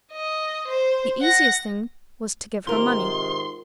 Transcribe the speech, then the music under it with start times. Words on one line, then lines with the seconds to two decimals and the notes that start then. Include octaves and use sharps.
The easiest thing was to give her money.
0.13 D#5
0.68 C5
1.21 F#5 A#6
2.67 G#2 C3 D#3 F4 A#4 C6